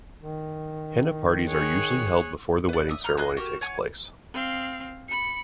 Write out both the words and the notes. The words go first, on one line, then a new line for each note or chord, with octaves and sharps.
Henna parties are usually held before the wedding ceremony takes place.
D#3
G#4 C#5 F#6
B4 D5
E5 D#6
A#5 B5 F6 G6
G#4 D#5 B5 F#6
F#4 G4 A#4
C#5 F#5 G#5
C4 F5
B5 C#7